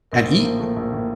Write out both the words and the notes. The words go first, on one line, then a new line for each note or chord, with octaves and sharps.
and eat,
A#1 A#4
A2 C5
F3 A#3 A#4
A3
A#1
A2